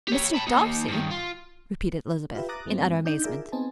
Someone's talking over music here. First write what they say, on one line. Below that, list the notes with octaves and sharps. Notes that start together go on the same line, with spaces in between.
"Mr. Darcy!" repeated Elizabeth, in utter amazement.
G4 C#5
A5 B5
A#3 D#4
G2 D#3
F4
F4 G4 B4 E5
A#5 D6 D#6 F#6 A6 A#6
G2 E3 G#3 B3 C4
D4 D#4 G6
F4 G#4 A#4 D5 E5
B3 C4 D#4 G#5 A5